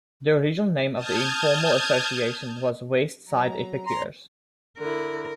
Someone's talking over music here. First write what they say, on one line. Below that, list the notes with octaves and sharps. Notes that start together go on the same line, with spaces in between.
The original name of the informal association was West Side Epicures.
A5 D#6 F6 G6 G#6
F#3 A#5
A#5 C6
D3 E4 A#4